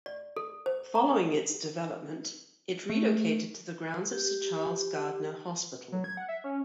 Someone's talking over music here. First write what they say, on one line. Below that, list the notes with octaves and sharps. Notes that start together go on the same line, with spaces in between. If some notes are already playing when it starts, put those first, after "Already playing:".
Following its development, it relocated to the grounds of Sir Charles Gairdner Hospital.
D5
A4
C5
A#5
A3
G4
F#3
G#6
F#5
E5
C#4